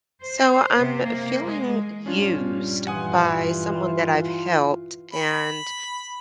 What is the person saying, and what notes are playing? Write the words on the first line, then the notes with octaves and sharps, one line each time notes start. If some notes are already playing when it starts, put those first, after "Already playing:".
So, I'm feeling used by someone that I've helped, and
C5
C3
A#3
G#3
A#1 G2 G3 C#4 D4 F4
E3 F4 F#5 G#5 D#6
B5